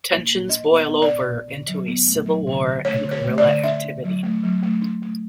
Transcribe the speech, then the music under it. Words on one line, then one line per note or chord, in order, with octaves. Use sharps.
Tensions boil over into a civil war and guerrilla activity.
A#3
A#3
D4 D#5
B3
D#5
B3
D5
D4
D4
D3
F#3
B3
A3
F#3
D3
D3
A3 C#5
D3
C#5
A3
D5
D3
D4 E5
D4
F#3
A3
F#3
A3
D4
A3